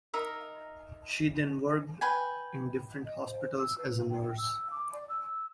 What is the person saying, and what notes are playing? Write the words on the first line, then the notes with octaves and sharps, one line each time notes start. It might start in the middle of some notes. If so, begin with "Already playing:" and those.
She then worked in different hospitals as a nurse.
D#4 A#4 E5
B4 G5 G#5
D#5
C5
E6
B4
G5
E6
D6
D5
E6